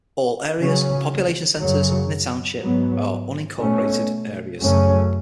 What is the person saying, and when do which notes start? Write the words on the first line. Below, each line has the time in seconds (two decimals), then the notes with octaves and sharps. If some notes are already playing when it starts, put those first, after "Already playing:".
All areas and population centers in the township are unincorporated areas.
0.58 C#3 F#3 C#4
1.59 F#2 C#3 F#3
2.58 G#2 F#3 B3
3.59 B2 A3 C#4
4.60 F#2 C#3 F#3 A3 C#4